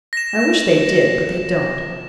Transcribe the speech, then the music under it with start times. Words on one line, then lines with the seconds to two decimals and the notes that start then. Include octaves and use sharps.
I wish they did, but they don't.
0.13 A#6 E7